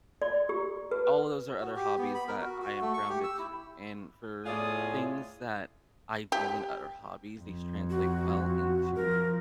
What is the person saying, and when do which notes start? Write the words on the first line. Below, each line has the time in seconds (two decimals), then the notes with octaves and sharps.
all of those are other hobbies that I am grounded to, and for things that I do in other hobbies, these translate well into
0.22 D5
0.49 G4
0.91 B4
1.60 F#4
1.76 G4
1.98 B3
2.15 B5
2.28 A#4
2.41 F#4
2.62 F#4
2.81 A3
2.94 C#6
3.09 G4
3.24 E6
3.39 E4
4.46 A2 F4 G#4 D5 D#6
6.32 G4
7.39 F2
7.90 F#4
8.96 F3 A#4